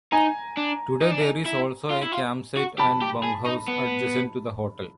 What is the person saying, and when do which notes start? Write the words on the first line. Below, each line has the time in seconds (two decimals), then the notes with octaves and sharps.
Today there is also a campsite and bunkhouse adjacent to the hotel.
0.12 D#4 G#5 A#5
0.57 D4
1.02 D#4
1.11 D4
1.21 D#4
1.46 E4
1.90 F4
2.03 E4
2.12 F4
2.57 F#4
2.78 G4 A5 B5
3.02 G4
3.23 G#4
3.46 D#4
3.68 B3